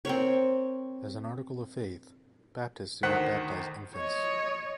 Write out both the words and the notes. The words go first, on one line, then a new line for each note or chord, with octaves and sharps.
As an article of faith, Baptists do not baptize infants.
C4 A#4 C#5
D2 D#3 C5 F#5 F#6 B6
C#5 D#5